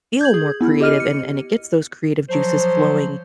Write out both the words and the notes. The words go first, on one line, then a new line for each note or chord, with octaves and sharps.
feel more creative, and and it gets those creative juices flowing
G6 G#6 F#7
G#4
B3 E4
G4 D#5 F6 D#7
C#7
F3 F#3 C5